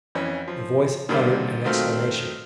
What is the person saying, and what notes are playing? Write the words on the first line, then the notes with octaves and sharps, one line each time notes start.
The voice uttered an exclamation.
F2 E3 C#4
F3
A#2 D3 D#3 G3 A#3 C4
D#3 F#3 A3 C4 F4